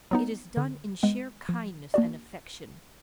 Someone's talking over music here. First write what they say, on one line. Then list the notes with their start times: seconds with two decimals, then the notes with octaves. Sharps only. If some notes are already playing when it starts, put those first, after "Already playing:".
It is done in sheer kindness and affection.
0.11 F#3 B3 D#4
0.57 D3
1.03 G#3 B3
1.49 F3
1.94 A#3 D4 F#4 D5